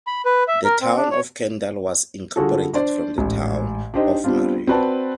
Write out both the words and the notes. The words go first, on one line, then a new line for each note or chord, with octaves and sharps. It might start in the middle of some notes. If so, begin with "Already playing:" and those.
The Town of Kendall was incorporated from the Town of Murray.
B5
B4
E5
A#4
C4
D4
C#5
D3 G3 F4 F#4 G#4 A4
D4 C5 D5
A1 G#2
D4 D#4 G4 C5 D#5
G3 B3 C4 D4 F4
C4 F#4 B4 D5 A5